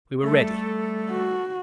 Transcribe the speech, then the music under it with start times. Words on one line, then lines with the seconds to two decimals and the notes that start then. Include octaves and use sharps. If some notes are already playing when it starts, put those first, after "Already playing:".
We were ready.
0.23 G3 A3 A4
1.10 F#4